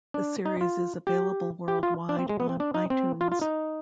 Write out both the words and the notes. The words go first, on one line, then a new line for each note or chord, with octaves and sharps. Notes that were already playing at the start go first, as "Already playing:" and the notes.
The series is available worldwide on iTunes.
D4
D#4
F4
G4
G4
F4
D4
C4
G#3
B3
C4
D4
D#4
C4
F4
F4
D#4